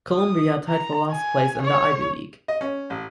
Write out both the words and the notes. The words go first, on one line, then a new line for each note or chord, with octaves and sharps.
Columbia tied for last place in the Ivy League.
D#6
A#5
G#5
C#5
D#5
C#4
A1